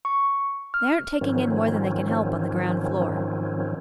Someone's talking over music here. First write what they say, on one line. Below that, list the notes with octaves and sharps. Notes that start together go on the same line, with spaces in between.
They aren't taking in more than they can help on the ground-floor.'
C#6
F6
G#2 D#3 F3 F#3 C4 C#4